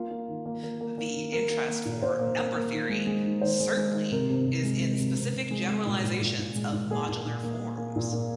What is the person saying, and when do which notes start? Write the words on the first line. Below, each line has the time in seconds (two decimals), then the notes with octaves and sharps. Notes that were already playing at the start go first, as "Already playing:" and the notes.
The interest for number theory, certainly, is in specific generalisations of modular forms.
Already playing: A#3 F4
0.11 A#3
0.28 D#3
0.46 A#3
0.63 A#3 A#4
0.81 A#3
0.98 A#3
1.15 D#3
1.32 A#3 A#4
1.50 A#3
1.68 A#3
1.85 A#2
2.02 A#2 C5
2.19 A#3
2.38 A#3
2.55 A#3
2.72 D#3
2.90 G#3
3.07 G#3
3.25 D#3
3.41 D#3 C5
3.60 G#3
3.77 G#3
3.94 D#3
4.11 C3 A#4
4.30 C3
4.46 C3
4.64 G#3
4.81 G#3
4.99 C3
5.16 C3
5.33 C3
5.51 G#3
5.68 G#3
5.86 A#2
6.04 A#2
6.21 A#2
6.39 A#2
6.55 G#3
6.73 A#2
6.90 A#3 G#4
7.09 A#2
7.26 A#2
7.43 A#3
7.60 A#3
7.78 A#3
7.96 A#2
8.13 A#3